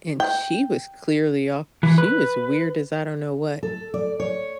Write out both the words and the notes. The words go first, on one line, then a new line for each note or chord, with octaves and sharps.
and she was clearly off, she was weird as I don't know what.
G5
E3
B4
A4
D5
C#5